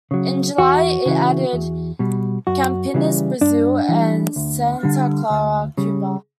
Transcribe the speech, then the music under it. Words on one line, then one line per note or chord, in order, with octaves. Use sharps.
In July, it added Campinas, Brazil; and Santa Clara, Cuba.
C#3 F#3
E2 F#4
C#3 E3
E2
B2 G3
F#2 F#4
C#3 E3 G3
G2 D4
E3 G3
D2
D3 G3
D2
C#3 G3